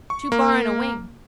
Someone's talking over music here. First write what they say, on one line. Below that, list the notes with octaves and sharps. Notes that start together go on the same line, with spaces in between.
Two bar and a wing.
C#6
A#3